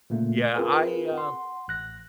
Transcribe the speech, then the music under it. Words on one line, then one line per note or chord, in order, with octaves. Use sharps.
Yeah, I, uh
A#2 C#3 A3 A#3
C4 F4 G#4 A#4 B4
F#5 C6
A1 F#6 A#6